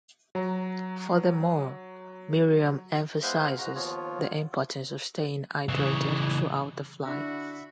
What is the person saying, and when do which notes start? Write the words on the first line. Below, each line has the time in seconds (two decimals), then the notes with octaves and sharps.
Furthermore, Miriam emphasizes the importance of staying hydrated throughout the flight.
0.35 F#3 A#5
3.23 G#3 B3 E4 B4 C5 F5
3.58 G#2 G#3 F#4 A#5
3.75 D#2 F3 B3 F4 C#5
5.69 C#3 E3
7.05 D3 D4 E4 F#4 E5 B5